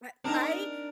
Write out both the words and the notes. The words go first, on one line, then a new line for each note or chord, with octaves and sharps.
right I uh
C4 D4 D#4 A#4